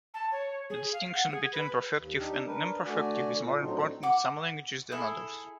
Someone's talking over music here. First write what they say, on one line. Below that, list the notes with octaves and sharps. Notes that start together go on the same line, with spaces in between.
The distinction between perfective and imperfective is more important in some languages than others.
A5
C#5
G#4
F5
F#5
G#4
B4
D#2
D4 D#4 G4
D4 A#4 B4
D3 A3 F#4 D5 G#5
A#2
A2 F#3 C4 D4 D#4
F#5 D6
E4 G#4 A4